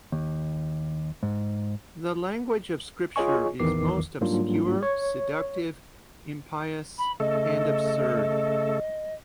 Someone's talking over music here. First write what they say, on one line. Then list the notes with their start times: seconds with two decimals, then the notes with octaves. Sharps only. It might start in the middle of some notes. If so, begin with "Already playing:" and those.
The language of scripture is most obscure, seductive, impious, and absurd.
0.12 D#2
1.23 G#2
3.16 F4 G#4 C#5 D#5 G#5 C#6
3.59 A1 E2 D#3 E3 D6 C7
4.21 G#2 F#3 G3 A#3 D4 F4
4.83 C#5
6.98 B5
7.20 C#3 A3 A4 D#5